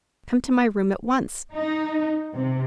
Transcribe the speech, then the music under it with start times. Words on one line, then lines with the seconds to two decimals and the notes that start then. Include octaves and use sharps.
Come to my room at once.
1.53 D#4
2.35 C3